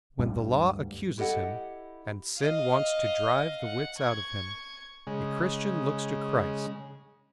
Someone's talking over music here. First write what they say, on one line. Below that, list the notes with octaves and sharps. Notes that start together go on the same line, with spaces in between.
When the Law accuses him, and sin wants to drive the wits out of him, a Christian looks to Christ.
D2 G2 G3
E4 G4 A4 D#5 F#5
D#5 F5
F#5
C#6 G#6
C#3 G#3